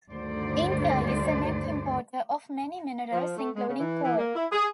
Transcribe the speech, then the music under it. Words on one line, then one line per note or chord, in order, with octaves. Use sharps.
India is a net importer of many minerals including coal.
D2 G2 D3 D#3 C5 D5
F3
A3
G#3
C#3
E3
E3
A#3
E4
G#4